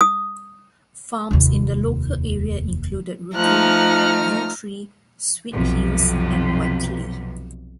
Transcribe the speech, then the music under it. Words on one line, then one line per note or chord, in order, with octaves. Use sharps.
Farms in the local area included Rookery, Yew Tree, Sweethills and Whiteley.
D#6
F1 D#2
F3 A3 D#4 A#5 F6 F#6
B1 F2 C3